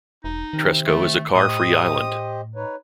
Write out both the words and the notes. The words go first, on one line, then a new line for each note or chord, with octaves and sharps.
Tresco is a car-free island.
E1 D#4
C3 D#3 C4
A3
A2 G4 C5 D#5 D#6
D#4 B4 C#5